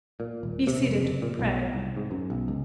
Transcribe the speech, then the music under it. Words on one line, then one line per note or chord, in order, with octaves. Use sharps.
Be seated, pray.'
A#2
D#1
C3
F1
F#1
A#2
B1
C2
G#2
F#2
B1
C#2